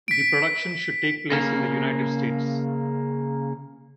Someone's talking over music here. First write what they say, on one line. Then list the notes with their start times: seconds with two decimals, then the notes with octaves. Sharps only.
The production should take place in the United States.
0.08 B6 D7
1.32 C#3 A#3